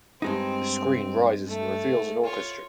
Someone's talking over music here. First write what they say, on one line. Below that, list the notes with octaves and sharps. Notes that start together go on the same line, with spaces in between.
The screen rises and reveals an orchestra.
G2 G#3 C4 D#4
A3
F4 C#5